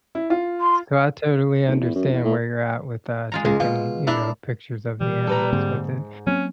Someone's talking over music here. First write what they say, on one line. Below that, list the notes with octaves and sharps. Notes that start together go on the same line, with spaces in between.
so, I totally understand where you're at with, uh, taking, you know, pictures of the animals with it,
E4
F4
C6
D#1
E2
F#2
E2
A2
G#3 F4 A#5
C#2 G#3
B2 F4
D4 E4 B4 A#5
B2 E3 G3
A4 B4 A#5
G#2 D3 A#3 C4
F#3 A#3 C4 C#4